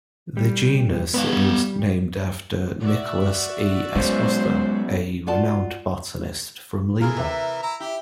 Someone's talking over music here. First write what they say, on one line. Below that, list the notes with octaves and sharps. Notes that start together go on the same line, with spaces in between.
The genus is named after Nicolas E. Esposto, a renowned botanist from Lima.
G3
G#2 B3 B4 F5
G3
F#4 D5 E5
F#3 G#3 B3 C#4 C5
F4 F#4 D5 A5
E3 F4 G#4 A#4
C3 B4 E5
E4 A#5
E4 G4